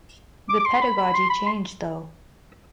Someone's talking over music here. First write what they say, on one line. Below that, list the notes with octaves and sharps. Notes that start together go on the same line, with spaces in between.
The pedagogy changed though.
D6
D6
C6
B5
B5
C6
B5
C6